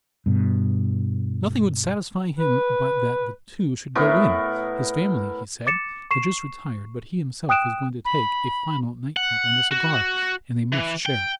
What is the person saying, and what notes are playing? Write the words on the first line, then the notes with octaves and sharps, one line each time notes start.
Nothing would satisfy him but that the two should go in; his family, he said, had just retired, but he himself was going to take a final nightcap and a cigar, and they must share it.
G2 B2
B4
A2 B3 A#4 C#6
D6 A6 C#7 E7
C#6 C7 E7
G5 D#6 F#6 D7 E7
B5
F#5
F#4
E3
G5